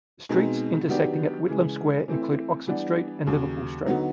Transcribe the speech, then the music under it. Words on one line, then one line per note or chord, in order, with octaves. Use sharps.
Streets intersecting at Whitlam Square include Oxford Street and Liverpool Street.
B2 G#3 C4 D#4
D#3 F#3 B3 D4 G4
C#3 E3 G#3
E3 A3 C4 E4
E3 G3 B3 D4
D#2 C#3 F#3
D3 F#3 B3 D#4